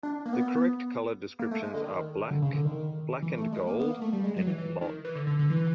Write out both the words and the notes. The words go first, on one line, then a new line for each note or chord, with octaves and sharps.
The correct color descriptions are black, black and gold, and blond.
D4
A#3
B3
A#3
A3
G#3
D3
D#3
D3
C#3
D3
D#3
E3
A3
G#3
A#3
B3
A#3
A3
G3
G#3
F#3
E3
E3
D#3
E3
D3
D3
D3
E3